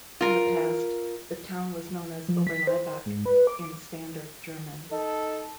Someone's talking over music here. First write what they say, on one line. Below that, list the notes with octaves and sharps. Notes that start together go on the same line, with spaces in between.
In the past, the town was known as "Oberlaibach" in standard German.
F4 A#4
F3
B6
C5
G#2
B4
D6
D#4 A4